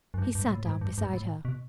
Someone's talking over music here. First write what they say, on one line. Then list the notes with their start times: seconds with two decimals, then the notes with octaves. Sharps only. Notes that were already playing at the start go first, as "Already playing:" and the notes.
He sat down beside her.
0.14 F#2
0.18 G2
0.35 G2
0.51 A2
0.65 G#2
0.81 G2
0.98 G2
1.13 A2
1.45 B2